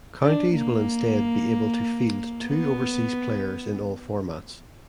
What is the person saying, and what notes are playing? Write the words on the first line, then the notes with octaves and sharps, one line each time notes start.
Counties will instead be able to field two overseas players in all formats.
D4
A#3
B3